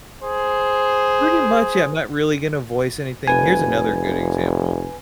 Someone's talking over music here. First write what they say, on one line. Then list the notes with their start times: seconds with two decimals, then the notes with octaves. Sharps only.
Pretty much, yeah, I'm not really gonna voice anything. Here's another good example.
0.22 G#4 C5
3.28 F1 B4 G#5